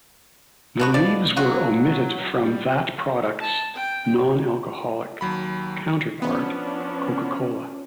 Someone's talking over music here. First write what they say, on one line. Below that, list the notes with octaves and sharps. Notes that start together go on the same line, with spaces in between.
The leaves were omitted from that product's non-alcoholic counterpart, Coca-Cola.
D3 B3 F#4
B2 F3 D5
F#3 A#3 F4 F#4
G3
A5
G5
D#2 F#3 B5
F3 B3 C#4 D4